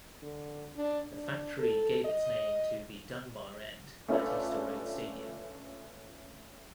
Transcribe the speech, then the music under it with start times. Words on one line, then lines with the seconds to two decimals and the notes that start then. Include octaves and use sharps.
The factory gave its name to the "Dunbar End" at Easter Road Stadium.
0.22 D3
0.76 D4
1.13 D4
1.59 A4
2.04 D#5
4.08 A3 C#4 D4 F4 A4 B4